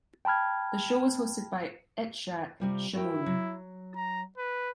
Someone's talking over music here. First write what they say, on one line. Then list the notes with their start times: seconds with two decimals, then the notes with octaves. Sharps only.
The show was hosted by Itzhak Shimoni.
0.25 G5 A5 B5 F6 G#6
2.60 C3 G3 F4
2.93 E4 F#4 A#4 G5
3.26 F#3
3.96 A#5
4.38 B4